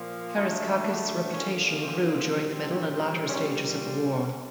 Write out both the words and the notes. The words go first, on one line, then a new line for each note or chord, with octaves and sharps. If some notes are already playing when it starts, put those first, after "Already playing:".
Karaiskakis's reputation grew during the middle and latter stages of the war.
Already playing: A#2 F3 A#3
D3 F#3 A3 D#4
D4
D3 F3 A#3 C#4
C4
A#2 G3 C4
A#2 G3 C4 C#4